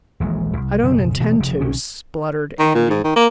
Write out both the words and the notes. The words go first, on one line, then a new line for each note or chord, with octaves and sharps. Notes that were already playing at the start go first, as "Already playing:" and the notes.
"I don't intend to," spluttered Andy.
D#1 A#1 E3 G#3
C2
B1 F#2 C#3
B2 E3 G#3 A3
F1 C#3
B1 C3 D#3 C#4
D#3
A#2
G#2
D#3
A#3